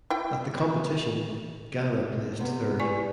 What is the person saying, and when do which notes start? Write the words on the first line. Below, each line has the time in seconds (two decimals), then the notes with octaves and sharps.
At the competition Ghana placed third.
0.10 E4 G5
2.39 C3 B3
2.80 E4 G4 B4 D5 G#5